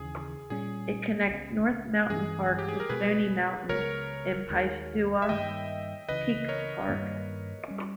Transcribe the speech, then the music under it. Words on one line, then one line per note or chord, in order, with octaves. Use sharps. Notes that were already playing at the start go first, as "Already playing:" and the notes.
It connects North Mountain Park with Stony Mountain and Piestewa Peak Park.
Already playing: D#2 C#3 E3 G#4
A#2 G3 C#4 G#4
C#2 C#3 G3 B3
G2 E3 G#3 C#4 G#4
G4
G#4
A#4
B2 G#3 B3 G#4 B4
C#2 C#3 G#3 B3 A#4 C#5
D#2 D#3 G#3
E5
G2 D#3 A#3 D#5 G5
C#2 C#3 E3 B4 D#5
A#4 C#5
G2 D#3 G3 A#3
G3 C#4